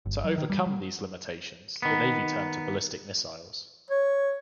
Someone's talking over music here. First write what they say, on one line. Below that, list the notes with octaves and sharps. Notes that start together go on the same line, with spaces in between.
To over come these limitations, the Navy turned to ballistic missiles.
G1
F#3
D#3
G3
G3
D#3 B3
C#5